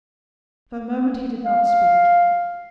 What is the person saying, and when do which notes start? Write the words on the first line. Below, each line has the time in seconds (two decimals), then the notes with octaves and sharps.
For a moment he did not speak.
1.45 F5